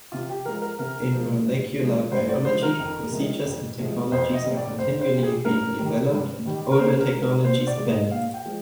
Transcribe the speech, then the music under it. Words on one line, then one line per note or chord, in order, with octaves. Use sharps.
In molecular biology, procedures and technologies are continually being developed and older technologies abandoned.
C3 F4
G4
F3 G#3 A#4
A#4
C3 A#4
F3 G#3
G2
F3 G#3
G2 C5
D5
F3 G#3 C5
A#4
F2
C3 F3 G#3
F2
C3 F3 G#3
F2 C5
D#5
C3 G3
D5
F2 C5
C5
C3 G3
G#4
G2 A#4
D#3 G3
G2
D#3 G3
A#4
A#2 C5
A#4
G#3
A#4
A#2 C5
D5
G#3
D#5
A#2 F5
G5
F3 G#3